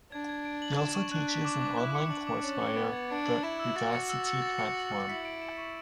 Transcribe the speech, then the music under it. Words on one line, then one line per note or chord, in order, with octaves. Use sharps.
He also teaches an online course via the Udacity platform.
D4 G#6
G#6
D7
F#7
E7
C#6
D4 F#6
B6
D6
D6
E4 F#6
C#7
D4 F#7
D6
C#4 A6
C#7
B3 G#6
G#6
D4 D7
F#7
E4 E7
E6
F#4 A6
C#7
E6
E6
A6
C#7
F#7
E6
E4 B6
D7
E7
C#6